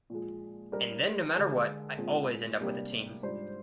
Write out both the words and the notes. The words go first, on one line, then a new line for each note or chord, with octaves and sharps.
And then no matter what, I always end up with a team.
A#2 F3 G#3
G3 D4 G4 A#4
D3 G#3 D4
A#2 G#3 C4
C3 G3 A#3 D4 G4
G#2 G3 D4 F4 C5